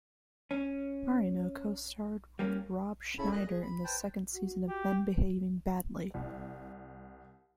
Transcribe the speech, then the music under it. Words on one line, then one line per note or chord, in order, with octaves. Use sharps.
Marino co-starred with Rob Schneider in the second season of "Men Behaving Badly".
C#4
G3 A#3 C#4
C#3 C#4 E4 A4 B5
A#2 D#5 F#6
G#4
B5
B4 C5 G5 A5
F#4
G4
C2